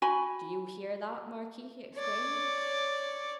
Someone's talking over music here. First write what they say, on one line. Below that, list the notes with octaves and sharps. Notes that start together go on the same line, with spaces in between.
"Do you hear that, Marquis?" he exclaimed.
F#4 G#5 B5
C#5 D5